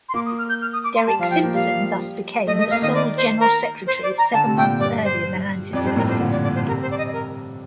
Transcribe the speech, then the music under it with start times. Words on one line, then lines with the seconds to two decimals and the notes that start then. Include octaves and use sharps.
Derek Simpson thus became the sole General Secretary seven months earlier than anticipated.
0.09 C6
0.14 A#3 D6
0.26 D#6
0.38 F6
0.49 G6
0.61 F6
0.73 D#6
0.84 D6
0.95 C6
1.07 G3 A5
1.19 F3 F5
1.30 F3 G5
1.43 A#3
1.54 G3 F5
2.47 A3 D#5
2.59 A3 D#5
2.70 A#3 F5
2.82 D#3 D#5
2.94 D5
3.17 C5
3.40 A#4
3.87 C5
4.03 D5
4.18 A#5
4.33 D3 A5
4.46 C3
4.57 A#2 G5
4.80 G2 D5
5.04 C5
5.73 F2 D5
5.85 G2 C5
5.96 A2 A#4
6.08 A#2 C5
6.19 D3
6.31 D5
6.43 D5
6.55 C5
6.67 C3 A#4
6.82 C5
6.91 D5
6.98 D#5
7.13 A#4